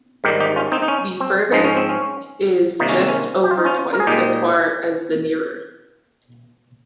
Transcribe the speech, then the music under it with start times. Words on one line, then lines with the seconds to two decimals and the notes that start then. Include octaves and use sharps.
The further is just over twice as far as the nearer.
0.24 G#2 D#3 G3 G4 A#4
0.40 D#4 G4
0.56 C#4 F4
0.72 C4 D#4
0.82 D#4
0.88 C#4
1.20 C4
1.52 G#2 F3 G#3 D#4
1.65 C#4
1.77 C4
1.89 C#4
2.80 C3 D#3 G3 A#3 D#4
2.89 C#4
2.99 C4
3.08 C#4
3.44 G4
3.51 F4
3.58 D#4
3.65 C#4 F4
3.93 A#4
4.00 G#4
4.07 A#2 G#3 D#4 G4